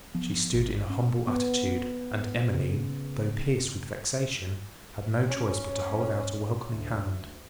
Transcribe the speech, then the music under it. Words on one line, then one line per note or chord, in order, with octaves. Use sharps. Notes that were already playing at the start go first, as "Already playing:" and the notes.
She stood in a humble attitude, and Emmeline, though pierced with vexation, had no choice but to hold out a welcoming hand.
F3 B3
G#1
C#4
B3
C#3
C#4
D2